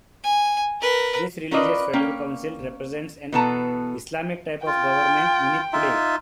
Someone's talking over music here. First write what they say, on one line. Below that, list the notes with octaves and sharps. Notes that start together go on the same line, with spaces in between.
This religious federal council represents an "Islamic type of government" unique today.
G#5
A#4 B4
C#4 F4 A#4 B4 D5 D#5
A#3 C#4 G5
B2 E3 B3 A4 A5 A#5
F4 G5
D#4 F4 E5